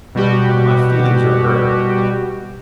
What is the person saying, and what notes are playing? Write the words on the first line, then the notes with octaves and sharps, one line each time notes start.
But my feelings are hurt.
B2 G3 F#4 G4